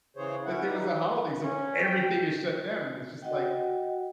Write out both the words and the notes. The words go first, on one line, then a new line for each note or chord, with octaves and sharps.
that there was a holiday, so everything is shut down, and it's just, like,
C#3 E3 G#4 C5 C#5
C#4 E4 E5 F#5
D#4 B4
C#4
G5
F#4 D#5 F#5 G5